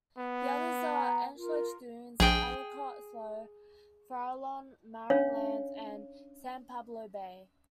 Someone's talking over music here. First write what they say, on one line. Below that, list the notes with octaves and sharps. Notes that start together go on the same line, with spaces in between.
The others are: Antioch Dunes, Ellicott Slough, Farallon, Marin Islands, and San Pablo Bay.
B3
F#5 A#5
F4 A#4
A#1 G#4 G5
C#4 D4 C#5 F5